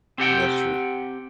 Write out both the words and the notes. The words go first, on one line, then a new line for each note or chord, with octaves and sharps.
That's true.
C4 G4 F#5 G5